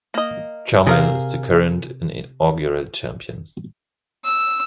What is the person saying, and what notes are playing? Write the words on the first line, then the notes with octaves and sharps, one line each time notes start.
Chamuel is the current and inaugural champion.
A#3 D#5
C3 G#4 A#4 F5
E6